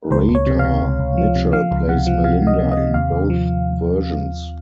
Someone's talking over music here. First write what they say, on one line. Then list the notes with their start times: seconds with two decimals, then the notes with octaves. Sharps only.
Radha Mitchell plays Melinda in both versions.
0.11 C#2 C5
0.29 C#2
0.35 C#5
0.47 C3
0.59 F5
0.65 C3
0.83 C#2
0.99 C#2
1.18 F3
1.35 C3
1.53 F3 F5
1.71 C#2
1.88 C3 F#5
2.07 F3
2.24 C3 F5
2.42 C3 D#5
2.59 C3
2.71 D#5
2.77 C3
2.94 D#2 F5
3.12 D#2
3.30 F3